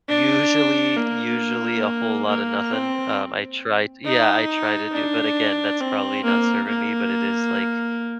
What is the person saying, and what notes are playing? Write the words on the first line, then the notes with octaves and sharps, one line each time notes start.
Usually, usually a whole lotta nothing. Um, I tried yeah, I tried to do but, again, that's probably not serving me, but it is like
D4
A#3
A#3
C4
D#4
D4
C4
A#3
A#3